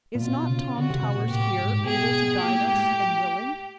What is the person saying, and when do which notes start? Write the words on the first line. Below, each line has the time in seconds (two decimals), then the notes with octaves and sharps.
Is not Tom Towers here, able to guide us and willing?
0.15 A#2
0.21 B2 F4
0.49 C#3
0.77 D3 F#4
0.90 C3
1.03 C3
1.17 A#2
1.30 A2 G4
1.58 G#2
1.85 B2 G#4
2.39 A#2 G4
2.54 A2
2.67 G#2
2.81 A2